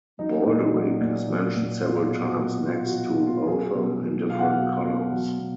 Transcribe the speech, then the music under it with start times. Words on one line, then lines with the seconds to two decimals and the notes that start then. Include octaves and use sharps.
Baldéric is mentioned several times next to Othon in different columns.
0.19 F#3 D#4
0.46 A#2
0.73 F#3
1.01 A#2
1.28 F#3
1.55 A#2
1.83 F#3 F4
2.11 B2
2.24 F#4
2.38 F#3
2.65 B2 F4
2.86 F#4
2.92 F#3
3.06 F4
3.20 B2
3.27 F4
3.47 F#3 G#4
3.75 B2
4.02 F#3
4.29 B2 F5
4.39 F#5
4.48 F5
4.57 F#3
4.84 B2
5.12 F#3
5.39 B2